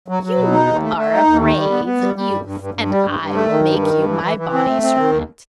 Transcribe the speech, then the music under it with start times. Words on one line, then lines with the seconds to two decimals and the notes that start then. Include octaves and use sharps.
'You are a brave youth, and I will make you my body-servant.
0.08 F#3
0.23 F#3
0.37 B2
0.52 D#4
0.67 D#2
0.82 A3
0.96 A3
1.12 D#4
1.26 D#2
1.41 D#3
1.56 G3
1.71 B3
1.85 B3
2.01 G3
2.16 G3
2.30 G2
2.45 G2
2.60 G2
2.74 G2
2.89 G3
3.05 G2
3.19 G2
3.34 A3
3.49 D#3
3.63 G2
3.79 D#3
3.94 G2
4.08 E3
4.23 E3
4.37 E3
4.53 C4
4.67 A3
4.82 C4
4.97 D#3
5.12 D#2